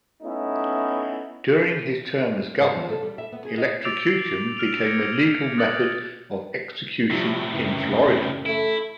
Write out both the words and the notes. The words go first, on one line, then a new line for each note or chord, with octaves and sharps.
During his term as governor electrocution became a legal method of execution in Florida.
A3 B3 C#4 D#4 E4
G#2
F3
A4
G3
E5
B3
G#4
D#5
D6 E6 A6 D7 F7
F6 D7 F7
G6 G#6 A#6 C#7 D7
D#6 F#6 A6 F#7
A2 C3 F3 G3
F#2 C#3 E3
A3 E4